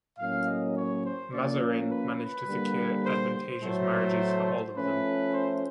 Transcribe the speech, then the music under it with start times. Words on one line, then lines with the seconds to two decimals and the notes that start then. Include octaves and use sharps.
Mazarin managed to secure advantageous marriages for all of them.
0.19 A2 F#3 A#3 C#4 F5
0.47 D#5
0.76 C#5
1.04 C5
1.32 F3 A#3 C#4 D5
1.90 B4
2.19 B4
2.48 D3 G3 A#3
3.04 C5
3.33 C5
3.62 A2 F#3 A3
4.76 F3 A3 C#4 B4
5.34 C5